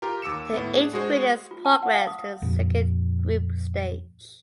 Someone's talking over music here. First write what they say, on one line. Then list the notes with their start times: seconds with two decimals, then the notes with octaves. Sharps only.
The eight winners progress to the second group stage.
0.02 F4 G4 A#4 A#5
0.22 D#2 D6 E6 C#7 E7
0.54 A2 B3
0.74 D4 G#4
0.93 G#3 F#4 G#4 C5
1.51 F4
1.65 A5
1.83 F#5
1.95 F5
2.07 D#6
2.42 F2 A#2